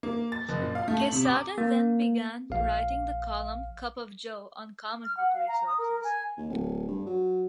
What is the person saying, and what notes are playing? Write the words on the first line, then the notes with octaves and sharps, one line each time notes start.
Quesada then began writing the column "Cup of Joe" on Comic Book Resources.
A#3
A6
F#1
A#2
F5
A3
F#7
C3
D6
A#3
A#1 F5
F6
F#5
F5
A#5
D#6
A#4
G#5
D#2
D1
G2
F#3